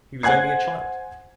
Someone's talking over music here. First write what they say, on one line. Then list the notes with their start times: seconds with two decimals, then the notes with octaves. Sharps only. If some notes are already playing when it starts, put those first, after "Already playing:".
She was only a child.
0.23 C5 F#5 G#5 F#6 G#6 C7